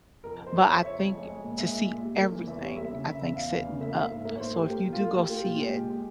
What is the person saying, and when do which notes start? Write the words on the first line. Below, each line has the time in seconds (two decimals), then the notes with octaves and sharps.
but I think to see everything I think sitting up So if you do go see it
0.24 F2 A#4
0.39 F2
0.47 C5
0.54 F2
0.69 F2 C#5
0.77 E5
0.84 F2 C#5
0.98 F2
1.13 G#3
1.28 G#3
1.43 A#2
1.58 G#3 E5
1.72 A#2
1.88 A#2
2.03 G3
2.17 A#3
2.32 E3
2.47 E2 E5
2.62 G3 C#5
2.77 A#3 E5
2.92 C#3
3.07 C#3 E5
3.21 E2 E5
3.36 E2 F5
3.51 E2
3.66 C#3
3.81 A#3 E5
3.91 A#3 F5
4.02 E5
4.11 G#2
4.25 A#3 E5
4.35 C#5
4.40 G#2 C5
4.55 A#3 G4
4.70 A#3 G4
4.85 A#2
4.93 F4
5.00 A#3
5.15 A#3 G4
5.30 A#3 F4
5.37 G4
5.44 A#2 F4
5.59 G#3 G4
5.74 A#2
5.89 G#3